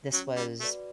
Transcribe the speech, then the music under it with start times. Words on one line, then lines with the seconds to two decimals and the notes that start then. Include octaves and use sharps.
This was
0.13 F#3 C#4
0.36 G3
0.60 A3 F#4 B4 D5